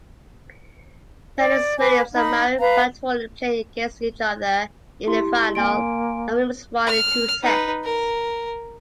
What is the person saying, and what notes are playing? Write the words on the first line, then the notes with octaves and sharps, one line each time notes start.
Venus Williams and Marion Bartoli played against each other in the final, and Williams won in two sets.
D5
B4 G#5 D6
D#4 B5
B4 F5 A#5
E4 G4 C6
A#3 G#5 C6 D7
F6
D#4 B4
A#4